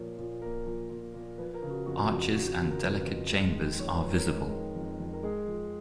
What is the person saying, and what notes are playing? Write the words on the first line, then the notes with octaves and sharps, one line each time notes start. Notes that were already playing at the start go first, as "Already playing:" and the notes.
Arches and delicate chambers are visible.
Already playing: A#2 F3 A#3 C#5
A#2
A#3 A#4
F3
A#2
A#2
F3 B4
A#4
C#3
F#4
F2 F#4
F#4
F2 F#4
F4
F3 F#4
F#4
C#3
A#4
F2 B4
F2
G#3
D#3
F2 C#5
B4
F2
A#4
G#3
D#3
F2
F2
A#4
G#3 G#4
F3